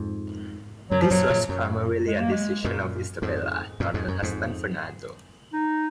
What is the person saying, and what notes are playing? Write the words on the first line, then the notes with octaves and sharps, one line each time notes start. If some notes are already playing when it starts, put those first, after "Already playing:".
This was primarily a decision of Isabella, not her husband Fernando.
Already playing: F2 G#2
F#2 F#3
G#2 F3
F#2 A#2 F#3
A#2 C#3
F#2
G#3
A#3
G#3
F#2 A#2
F2 G#2
F#2 A#2
F2 G#2
F#2
F2 G#2
D#4